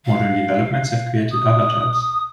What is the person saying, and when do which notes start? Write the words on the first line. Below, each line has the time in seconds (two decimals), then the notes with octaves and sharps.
Modern developments have created other types.
0.06 F5
1.31 D#6